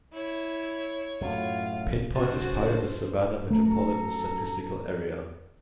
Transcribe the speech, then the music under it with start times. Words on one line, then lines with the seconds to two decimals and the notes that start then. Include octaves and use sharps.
Pin Point is part of the Savannah Metropolitan Statistical Area.
0.14 E4 C#5
1.21 F#2 A2 F4
2.15 G#1 C#3 F#4 C5 A5
3.50 F#2 A3 A4 A#5